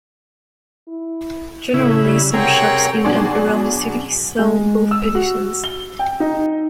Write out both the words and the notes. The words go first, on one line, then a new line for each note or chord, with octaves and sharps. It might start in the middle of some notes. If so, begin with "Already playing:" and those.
Generally some shops in and around the city sell both editions.
E4
A2 C#3 E4
G3
C3 C4 G#4 A#4 C#5 F#5 G5
B2 F#3 D4 G#4 D5 C6
G#3
E6
F#4
G7
G5
D#4